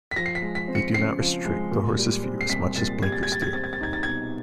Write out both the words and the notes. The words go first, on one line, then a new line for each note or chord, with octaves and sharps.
They do not restrict the horse's view as much as blinkers do.
B6
F3 A#6
C7
B6
G#3
B6
C4
C#7
C#3 C7
F3
G#3
A#2
G3
C4
C7
C2 B6
A#2 A6
G3 G#6
A6
G#6
G3 A6
G#6
C4 A6
G#6
A6
D#4 G#6
A6
B2 G#6